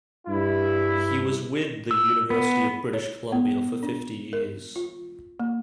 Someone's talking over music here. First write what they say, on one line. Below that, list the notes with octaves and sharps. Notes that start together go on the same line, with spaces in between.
He was with the University of British Columbia for fifty years.
G2 E4
E6
B3
C#5
B3
D4
A#4
F4
A#3